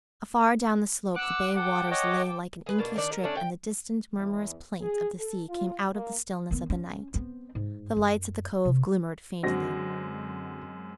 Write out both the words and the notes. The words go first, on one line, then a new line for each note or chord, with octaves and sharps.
Afar down the slope the bay waters lay like an inky strip and the distant, murmurous plaint of the sea came out of the stillness of the night; the lights at the Cove glimmered faintly.
F#5 D6 E6 F#6
A4 F#5 G5
C#5 D#5 F#5
G#4 B4
B2 A#3 D4
D#3 D4
A#4
A3 C#4 D4
G5
E2
G#4
A4
F4
A#3
D#3 B3
C#4
B3 C4
G#2
F#2
C3
F#2 D3 G#3 C4 F#4 A#6